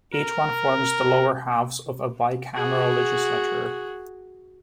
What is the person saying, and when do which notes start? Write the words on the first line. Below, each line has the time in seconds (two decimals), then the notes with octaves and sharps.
Each one forms the lower house of a bicameral legislature.
0.14 A#4
2.54 F#4 G#4